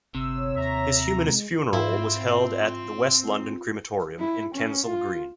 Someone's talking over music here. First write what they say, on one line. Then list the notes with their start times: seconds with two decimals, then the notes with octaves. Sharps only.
His Humanist funeral was held at the West London Crematorium, in Kensal Green.
0.15 G1 C3 E6
0.35 C#5
0.56 D#2 E5 A#5
1.23 G#3
1.73 G#2 C4 E4 F4 C5
4.19 E4
4.54 C#4
4.86 F4